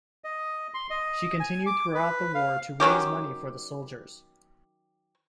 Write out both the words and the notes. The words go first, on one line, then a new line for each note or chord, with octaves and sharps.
She continued throughout the war to raise money for the soldiers.
D#5
C6
D#5
G#5
D6
B4
F5
D#3 F#3 C#4 G4